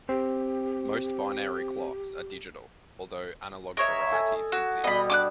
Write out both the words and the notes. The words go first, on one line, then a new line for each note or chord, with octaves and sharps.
Most binary clocks are digital, although analog varieties exist.
C4 G4
A#4 C#5 D#5 E5
A4 G#5
F#4
B2 G3 B3 D#5 B5
D4 D6 D#6 F#6